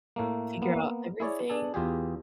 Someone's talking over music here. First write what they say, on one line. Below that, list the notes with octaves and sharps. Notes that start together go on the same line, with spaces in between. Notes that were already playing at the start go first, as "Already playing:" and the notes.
figure out everything.
A2 A3 A#3
A#3 B3
E4 G#4 C#5 D5
D4 G#4 A4
E2 F4 G4 G#4